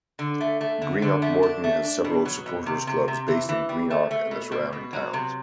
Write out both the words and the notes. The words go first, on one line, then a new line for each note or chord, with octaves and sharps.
Greenock Morton has several supporters' clubs based in Greenock and the surrounding towns.
D3
A3
A3
D3
D3
A3
D4
A3
D4
B2
F#3
B2
C3
C3
C3
E3
E3
G3
A3
A3
B2
B2
B2
F#3
C3